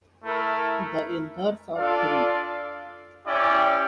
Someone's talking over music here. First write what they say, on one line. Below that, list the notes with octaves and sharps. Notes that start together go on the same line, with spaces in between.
The anthers are free.
A3 E4 A#4
D4 F4 A4 D5 F5
C#4 E4 G4 D5 G5